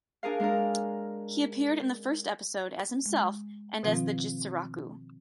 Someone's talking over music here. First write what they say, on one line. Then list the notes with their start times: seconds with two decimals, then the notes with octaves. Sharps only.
He appeared in the first episode, as himself and as the Jitsuroku!
0.23 D4 G#4 A#4 F5
0.40 G#3 D4 A#4
3.06 G#3
3.83 B2 D#3 F3 C4 F4